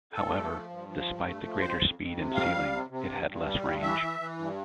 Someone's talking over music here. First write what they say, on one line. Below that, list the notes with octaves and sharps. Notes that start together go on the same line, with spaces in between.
However, despite the greater speed and ceiling, it had less range.
G2 A4
A3
F3
G2
F3
G2
A3
F3
F2 C5
F2
F2
C3
F2 F5
G3
C3
C3
G2
G2
G3
G2
E3 E5
E3
E3
G2